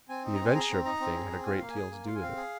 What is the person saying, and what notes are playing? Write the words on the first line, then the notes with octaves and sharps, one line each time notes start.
"The adventure of the thing had a great deal to do with it."
C4 G#5
D#4
C4 A#5
G#5
G#4 A#5
C4
D#4 A#5
C4
G#4
C4
F4 G#5
A#3 F5
G#5
G#4
A#3
F4 F5
G#5
C4 F5
G#4